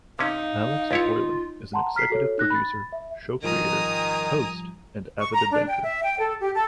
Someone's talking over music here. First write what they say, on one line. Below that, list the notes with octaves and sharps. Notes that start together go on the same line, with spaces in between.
Alex Boylan is an executive producer, show creator, host and avid adventurer.
C3 C#4 D#4 F5
C#2 E4 F4 C#5
F#5 A5 A#5 C6
A#5 F6 B6 C7
F#4 A4 C#5
D#4 F#6 A#6
B5 A6
E5
G#2 D#3 F3 G3 G#5 A#5 D#6
C#6
A#5
D4
G5
E5
G5
A4
G4
A4